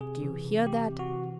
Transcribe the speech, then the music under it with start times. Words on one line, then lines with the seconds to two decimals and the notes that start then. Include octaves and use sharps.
Do you hear that?
0.01 C3 G#4
0.23 E3
0.45 C3
0.66 E3 G4
0.89 C3
0.99 F#4
1.12 E3